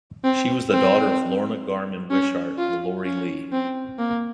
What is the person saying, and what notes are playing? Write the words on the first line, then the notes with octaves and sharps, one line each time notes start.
She was the daughter of Lorna Garman Wishart and Laurie Lee.
C4
C4
C#4
F4
C#4
C4
A#3